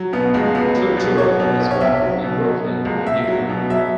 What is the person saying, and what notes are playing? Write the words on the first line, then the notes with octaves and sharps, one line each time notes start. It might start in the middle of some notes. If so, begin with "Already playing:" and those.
Turturro was born in Brooklyn, New York.
Already playing: F#3
B2 B3
C#2 G#3
C#2 B3
F#3
B2
F#3 C#5
B2
B1
C#5
B1 E5
F#3
B2
F#3
B2
C#2
C#2 E5
F#3
B2
F#3 E5